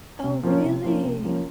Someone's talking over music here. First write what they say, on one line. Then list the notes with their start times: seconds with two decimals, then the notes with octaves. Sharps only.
Oh, really?
0.23 C3
0.43 F3 A#3 C#4
0.64 C3
0.84 F3 A#3 C#4
1.04 C3
1.24 F3 A#3 C#4